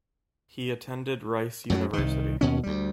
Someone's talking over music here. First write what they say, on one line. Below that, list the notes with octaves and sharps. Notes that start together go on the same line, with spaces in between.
He attended Rice University.
F#2 A2 F3 F#3
C2 D#3
D#2 B2 C#4
D2 G3